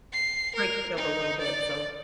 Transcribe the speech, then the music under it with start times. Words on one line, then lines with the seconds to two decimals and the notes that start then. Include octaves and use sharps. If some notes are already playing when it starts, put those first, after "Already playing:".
breaks it up a little bit, so
0.12 C7
0.55 A#4
0.96 D#4
1.41 D5